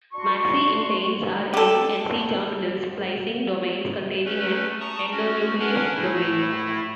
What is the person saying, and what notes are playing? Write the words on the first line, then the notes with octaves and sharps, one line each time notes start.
Maxi-inteins are N- and C-terminal splicing domains containing an endonuclease domain.
D4 F#4 C6 C#6
G4 A4
A3 C#4 B4
A5 A#5 C#6 D#6
C#4 F#4
C#4 D4 A#4 B4 F#5 G#5
A2 A3 E4